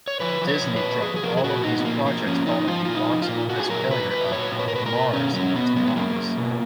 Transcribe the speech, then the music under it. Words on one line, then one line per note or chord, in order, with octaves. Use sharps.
Disney dropped all of these projects following the box-office failure of "Mars Needs Moms".
C#5
F3 B4
F3
C#5
A#2
B4
A#2
F3 G#4
G#4
F3 A#4
G#4
A#2 F#4
A#2 D#4
B3
F3 A#3
F3 A#3
F3 C#4
F3 D#4
F3 F4
A#2 F4
D#4
F3
F4
A#2
A#2 F#4
G#4
F#3 A#4
F#3 B4
F#3 B4
A#2 C#5
A#2
B4
A#4
A#2 B4
A#4
A#2
B2 C#4
F#3 C#4
B2 B3
F#3 B3
G#3
F#3 A#3
F#3
B2